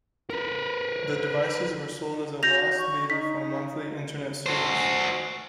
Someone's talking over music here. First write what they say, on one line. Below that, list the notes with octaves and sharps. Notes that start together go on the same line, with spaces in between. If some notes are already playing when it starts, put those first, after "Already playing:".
The devices were sold as a loss leader for monthly Internet service.
A#4 B4
F#4 G6 A#6 F7
C#6
D#4 B6
F#4 C5